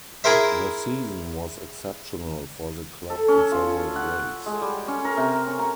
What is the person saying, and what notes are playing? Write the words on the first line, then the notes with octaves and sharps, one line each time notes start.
The season was exceptional for the club in several ways.
E4 G#4 A#4 C5 E5
A4
C#4
F4
F#5
G#3
G3
C#4
A#4
C3
C#4
A#5